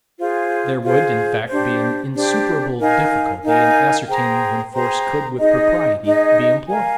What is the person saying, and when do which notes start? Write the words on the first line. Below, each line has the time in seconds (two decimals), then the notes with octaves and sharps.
There would, in fact, be an insuperable difficulty in ascertaining when force could with propriety be employed.
0.19 F4 G#4 C5
0.84 F4 G#4 C5
1.48 D4 G4 C5
2.13 D4 G4 C5
2.79 D#4 A#4 F5 G#5
3.43 D#4 A#4 F5 G#5
4.08 G#4 C5 G5 A#5
4.73 G#4 C5 G5 A#5
5.38 D#4 G#4 D#5
6.04 D#4 G#4 D#5
6.68 A#4 F5 G#5